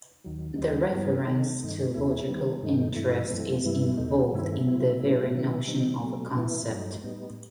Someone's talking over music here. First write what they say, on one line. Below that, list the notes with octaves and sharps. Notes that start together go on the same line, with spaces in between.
The reference to logical interest is involved in the very notion of a concept.
D#2 D#3 F#3
D#2 D#3 G3 D#4
G2 E3 G3 B3
D#3 A3 D#4
G2 D#3 A3 D#4
E2 B2 A3 E4
D#3 G3 B3
G2 D#3 A3 D#4
G2 E3 A3 E4
F#2 E3 A3 C4
G2 E3 G3 B3 E4
E2 B2 A3 D#4
G2 D#3 A3 C4 E4
C3 F#3 C4 E4
A2 F#3 A3 C4 E4
D#3 F#3 B3 E4
D#3 G3 C4 D#4
B2 F#3 A3
A2 E3 B3 E4
G2 F#3 A3 D#4
A2 G3 B3 D#4